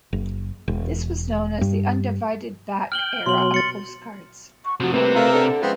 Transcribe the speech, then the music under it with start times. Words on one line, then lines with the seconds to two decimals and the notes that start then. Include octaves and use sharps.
This was known as the "undivided back" era of postcards.
0.13 F#1
0.68 E1
1.61 G2
2.92 G5 F6 F#7 G7
3.26 B2 F#3 C6 F#7
3.54 A6 C#7
4.65 C#6
4.80 C3 F3 F#4
4.94 A2 C3 G3 A#3 C4 B4
5.15 A3 F4 A#4 E5
5.34 D4 A4
5.62 C#3 F3 G#3 B3 C4 B4